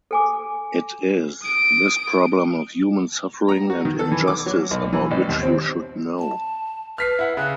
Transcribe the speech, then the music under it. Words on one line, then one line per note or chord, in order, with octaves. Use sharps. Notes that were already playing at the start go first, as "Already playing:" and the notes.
It is this problem of human suffering and injustice about which you should know.
A4 G#5 D6
D#6 D7
A#5
F#4
D#3
A4
E3
D6
F#3
B1
E3
G#1
D#2
C4
A5
B4 F6 B6 C7
E4 F#5
C#3 F#6